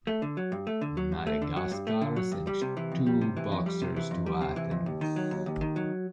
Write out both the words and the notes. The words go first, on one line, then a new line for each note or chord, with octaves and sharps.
Madagascar sent two boxers to Athens.
A3
D3
F#3
G2
A3
D3
F#3
G2
A3
D3
F#3
G2
A3
D3
F#3
G2
G3
C3
E3
F2
G3
C3
E3
F2
G3
C3
E3
F2
G3
C3
E3
F2
D#2
D#3
F#3
D#2
D#2
D#3
F#3